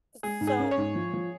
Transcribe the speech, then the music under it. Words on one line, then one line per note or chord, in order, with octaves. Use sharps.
S so
G#3 G#4
G#2
G#4
C#4
C#5
G#2
F3
F3